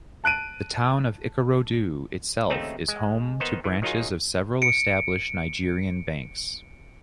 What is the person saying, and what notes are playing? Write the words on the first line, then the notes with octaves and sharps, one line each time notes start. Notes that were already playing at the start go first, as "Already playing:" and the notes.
The town of Ikorodu itself is home to branches of several established Nigerian banks.
A5 F#6 D7 D#7
D#2 C#3 A3 C4 D#4 E5
G#3
D#3 B3 D#4 C5
E3
D#3 F#3 D#4 F4 G#4
C#7 D7